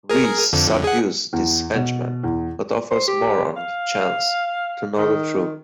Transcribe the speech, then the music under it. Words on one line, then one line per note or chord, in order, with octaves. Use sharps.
Reese subdues his henchmen but offers Moran the chance to know the truth.
G#4 A#4
F2 D3
G#4 F#5
E2
B2
E2
C5
G4
F5
D#3